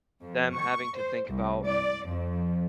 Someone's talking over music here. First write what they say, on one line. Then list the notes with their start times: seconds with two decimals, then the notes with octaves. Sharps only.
them having to think about
0.22 F2
0.52 C#6
0.97 C5
1.29 C2
1.64 D5
2.07 F2